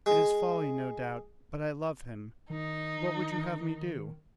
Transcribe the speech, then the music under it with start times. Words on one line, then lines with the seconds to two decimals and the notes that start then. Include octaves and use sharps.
It is folly no doubt, but I love him. What would you have me do?
0.06 G#3
2.50 D#3 D#4